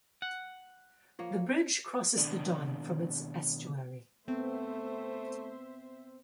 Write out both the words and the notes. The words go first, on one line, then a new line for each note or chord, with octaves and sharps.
The bridge crosses the Don from its estuary.
F#5
F3 A#3 C#5
B2 D#3 D4 D5
A3 B3 C4 C5 E5